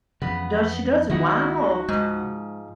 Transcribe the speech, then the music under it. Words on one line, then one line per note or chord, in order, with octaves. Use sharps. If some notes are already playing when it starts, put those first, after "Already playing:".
Does she doesn't? Wow.
F2 C#3 E3 B3 B4
C#2 D#3 A#3 D#4 E4 F#4 F#5
G#2 F3 G#3